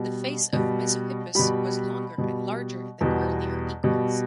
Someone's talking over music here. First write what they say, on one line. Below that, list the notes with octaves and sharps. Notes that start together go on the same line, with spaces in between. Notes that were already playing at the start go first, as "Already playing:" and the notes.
The face of "Mesohippus" was longer and larger than earlier equids.
Already playing: B2 G3
B2 G3
B2 G3 B5
B2 G3
E2 B2 G3
B2 G3